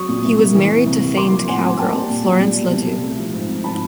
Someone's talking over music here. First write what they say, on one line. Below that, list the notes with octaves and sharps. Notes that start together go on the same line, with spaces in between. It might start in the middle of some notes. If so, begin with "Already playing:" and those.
He was married to famed cowgirl, Florence LaDue.
Already playing: F#3 C#6 D#6
A#2
C2
A#3
E3
C3
C2
C2
A#3 C6 D6
F3
A2 F#5 G#5
A2
A#3 G5 A5
G3
A#2
A#2
G3
B2
C2
C2
A3
F3
G#2
G#2
F3 A5 B5